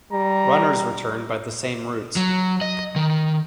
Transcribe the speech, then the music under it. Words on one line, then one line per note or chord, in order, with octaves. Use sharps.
Runners return by the same route.
G3 A#5
F#3
D#5
D#3